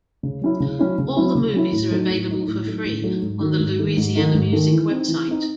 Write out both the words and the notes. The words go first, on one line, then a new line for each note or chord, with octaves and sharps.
All the movies are available for free on the Louisiana Music website.
C#3
F#3 C#4 E4
C#3
F#3 C#4 E4
C#3
F#3 C#4 E4
C#3
F#3 C#4 E4
A2
F#3 A3 D#4
A2
F#3 A3 D#4
A2
F#3 A3 D#4
A2
F#3 A3 D#4
G#2
D#3 A3 D#4
G#2
D#3 A3 D#4
G#2
D#3 A3 D#4
G#2
D#3 A3 D#4
E3
C4 D#4
E3
C4 D#4